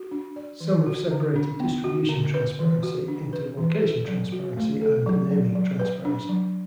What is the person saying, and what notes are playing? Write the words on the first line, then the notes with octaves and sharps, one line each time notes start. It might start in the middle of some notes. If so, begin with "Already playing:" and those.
Some have separated distribution transparency into location transparency and naming transparency.
Already playing: F#4
D4
D5
E3
F#4
D3
D4
B3
F#4
D3
B4
E3
F#4
D4
B4
E3
A4
F#3
F#4
A3
A4
F#3
F#3
F#3
B4
D4
F#3